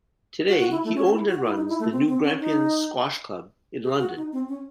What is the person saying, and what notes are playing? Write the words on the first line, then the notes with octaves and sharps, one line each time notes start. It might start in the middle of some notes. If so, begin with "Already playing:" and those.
Today, he owns and runs the New Grampians Squash Club in London.
F#4
F#4
E4
A3
C#4
E4
F#4
E4
D#4
E4
A3
C4
C4
C#4
D#4
G#4
F#4
D#4
C4
C#4